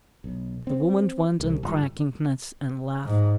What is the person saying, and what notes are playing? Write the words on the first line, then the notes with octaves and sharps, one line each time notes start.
The woman went on cracking nuts and laughing.
B1
C4
C2
G1
G#2